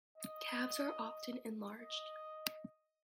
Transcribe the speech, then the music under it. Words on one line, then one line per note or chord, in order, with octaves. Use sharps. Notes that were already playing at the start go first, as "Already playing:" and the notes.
Calves are often enlarged.
D#5
D#5